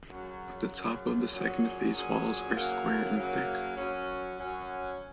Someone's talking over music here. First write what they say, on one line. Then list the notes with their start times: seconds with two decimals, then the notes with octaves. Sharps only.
The top of the second phase walls are square and thick.
0.08 F#2 C#3 F#3
0.70 F#2 C#3 F#3
1.31 A#2 F#3 C#4 G#4
1.92 A#2 F#3 C#4 G#4
2.54 C#3 F#3 A#3
3.15 C#3 F#3 A#3
3.76 F#2 F#3 C#4
4.36 F#2 F#3 C#4